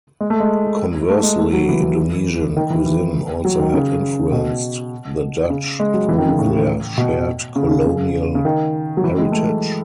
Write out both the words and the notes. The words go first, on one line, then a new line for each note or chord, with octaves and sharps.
Conversely, Indonesian cuisine also had influenced the Dutch through their shared colonial heritage.
G#3
A3
G#3
A3
G#3
A3
F#3
E3
E3
D#3
E3
E3
F#3
D#3
C#3
B2
C#3
G#3
F#3
E3
D#3
C#3
A2
B2
C#3
C#3
C#3
C#3
D#3
F#3
E3
G#3
A3